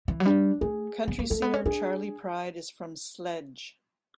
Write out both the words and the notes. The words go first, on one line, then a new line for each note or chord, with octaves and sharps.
Country singer Charley Pride is from Sledge.
E3
F#3
G3 D4
A3 G#4
B3
A#3
A3 A4
B3
C#4
D4 G#4